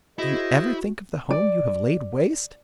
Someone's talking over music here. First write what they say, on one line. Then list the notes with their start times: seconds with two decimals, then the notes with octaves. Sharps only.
Do you ever think of the home you have laid waste?'
0.19 E4 F#4 G#4 C5 D#5
1.31 D5